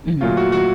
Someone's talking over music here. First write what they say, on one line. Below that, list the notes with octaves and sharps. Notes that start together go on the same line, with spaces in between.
Mhm mm.
A#2 F#3 A3 F4
F#4
F#4